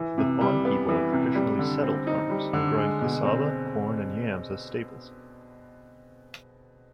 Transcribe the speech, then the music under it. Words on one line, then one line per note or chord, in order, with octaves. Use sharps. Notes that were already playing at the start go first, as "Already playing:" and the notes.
The Fon people are traditionally settled farmers, growing cassava, corn and yams as staples.
Already playing: E3
C3
G3
B3
E3
C3
G3
D3
C4
D#4
G3
D3
G#3
B2
C4